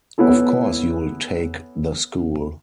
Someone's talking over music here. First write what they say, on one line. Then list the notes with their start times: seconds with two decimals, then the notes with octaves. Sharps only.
Of course you’ll take the school.
0.18 B3 C#4 E4 A4